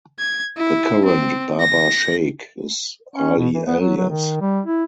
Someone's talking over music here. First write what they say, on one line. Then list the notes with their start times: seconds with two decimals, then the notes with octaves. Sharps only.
The current Baba Sheikh is Ali Alyas.
0.19 G#6
0.57 E4
1.05 C4
1.60 A#6
3.16 C#4
3.37 B2
3.54 E3
3.67 B3
3.80 F#3
3.97 F#3
4.10 D#3
4.41 G3
4.66 E4